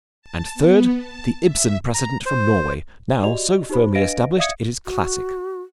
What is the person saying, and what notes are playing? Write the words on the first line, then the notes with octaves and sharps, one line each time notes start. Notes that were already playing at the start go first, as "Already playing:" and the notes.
And third, the Ibsen precedent from Norway, now so firmly established it is classic.
A5
B3
A5
E5
A#5
C5
F#4 G4 D5 D#5 F7
D#4 G4 C5 B5
D4 B4 D#5 F5 A#6 D7
D5 E5 F5 D#6 G#6 C#7
F#4